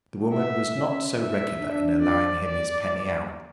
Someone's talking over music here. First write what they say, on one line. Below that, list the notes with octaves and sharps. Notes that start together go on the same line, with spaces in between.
The woman was not so regular in allowing him his penny out.
B3 E5
C#4
E5
D4
D5
D5